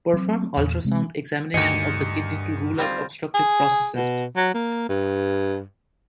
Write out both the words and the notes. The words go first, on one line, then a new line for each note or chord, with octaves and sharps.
Perform ultrasound examination of the kidney to rule out obstructive processes.
F#3 C4
E2 A#2
C3 G#3 C4
D2 G2 D#3 D#5 G5 G#5 C#7
G3 C4 F4
G#4
B2
F#3
A#3
G2